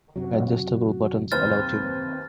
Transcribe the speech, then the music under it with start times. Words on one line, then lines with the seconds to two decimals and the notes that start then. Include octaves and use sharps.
Adjustable buttons allow tuning.
0.16 F#2 C3 F#3 F#4
1.32 D#2 C4 B4 C5 F6 A6